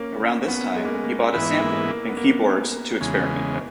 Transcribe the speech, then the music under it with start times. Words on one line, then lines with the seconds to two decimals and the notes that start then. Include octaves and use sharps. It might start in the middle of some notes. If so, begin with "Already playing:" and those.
Around this time he bought a sampler and keyboards to experiment with.
Already playing: A#3 C#4
0.20 A#3
0.48 B3
0.76 G#3
0.85 A#3
0.94 G#3
1.04 A#3
1.32 G#2 E3 G#3 B3 E4
1.60 A#3
1.88 A#3
2.09 B3
2.17 A#3
3.01 E2 C#3 G#3